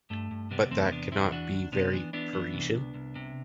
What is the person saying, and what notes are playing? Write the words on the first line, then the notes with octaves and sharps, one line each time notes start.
But, that cannot be very Parisian...
G2 A3
G2
C3 G3 B3
E2 A3 C4
C3 B3 D4
E2 C4 E4
E3 D4 F#4
D2
C3 B3 D4
E3
E3 B3 D4
E3
C2
C2
C2
C3